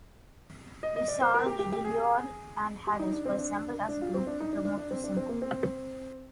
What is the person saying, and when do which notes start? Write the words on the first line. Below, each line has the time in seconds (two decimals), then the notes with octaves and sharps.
Visage, DeLeon and Harris were assembled as a group to promote the single.
0.83 D#5
0.96 D#5
1.08 D5
1.21 C5
1.34 A#4
1.46 G4
1.59 G4
1.72 G4
1.84 G#4
2.87 G4
2.99 D#4
3.13 D4
3.25 C4
3.38 D4
3.88 D4
4.01 F4
4.14 C4
4.27 D4
4.40 D#4
4.53 D4
4.65 D4
4.77 D4
4.91 C4
5.04 D4
5.17 C4
5.29 A#3
5.42 C4